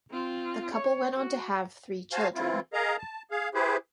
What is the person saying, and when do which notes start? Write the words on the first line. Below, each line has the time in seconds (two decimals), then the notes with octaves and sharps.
The couple went on to have three children.
0.11 C4 F4
0.73 C#5
1.15 F#4
2.12 F#4 C5 F5 G#5 A5
2.35 E3 C4 E4 F4
2.73 G#4 A#4 D#5 F5 A#5
2.98 A5
3.31 G#4 F5
3.54 E4 G4 G#4 B4 C5